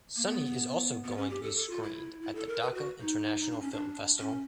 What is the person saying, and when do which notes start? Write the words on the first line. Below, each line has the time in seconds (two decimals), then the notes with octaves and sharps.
Sunny is also going to be screened at the Dhaka International Film Festival.
0.16 A#3
0.25 B3
1.03 B3
1.17 C#4
1.30 G4
1.43 A4
1.56 A4
1.70 F4
1.82 E4
2.22 E4
2.35 A4
2.48 A#4
2.61 B4
2.74 F#4
3.01 D#4
3.40 D#4
3.51 D4
3.61 C#4
3.71 D4
4.19 C#4